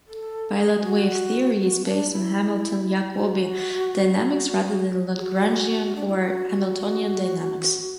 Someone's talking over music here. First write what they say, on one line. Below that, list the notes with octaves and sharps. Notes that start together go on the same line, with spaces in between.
Pilot Wave theory is based on Hamilton-Jacobi dynamics rather than Lagrangian or Hamiltonian dynamics.
A4
G#4
F#4
F#4
D4
E4
F#4
G#4
F#4
D4
E4
F#4